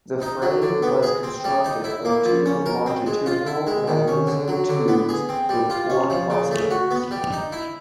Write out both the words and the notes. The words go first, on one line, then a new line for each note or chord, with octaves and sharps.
The frame was constructed of two longitudinal magnesium tubes with four crossmembers.
D#4
F#3
D3
B3
G#4
C4
G3
D#4
E4
A#3
F3
C#4
A#4
C4
G#3
F4
E4
G#3
D#3
C#4
D3
F#3
D3
B3
G#4
C4
G3
F4
C#4
F3
C#3
A3
F#4
B3
G3
D#4
E4